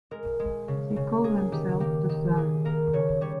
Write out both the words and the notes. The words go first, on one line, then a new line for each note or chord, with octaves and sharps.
They call themselves the Zara.
G#3 A#4
G#3
C#3
C#3
A#3 G#4
G#4
D#3 G4
A#3 G4
D#3
A#3 G#4
A#3 A#4
C#3 C#5
G3 C#5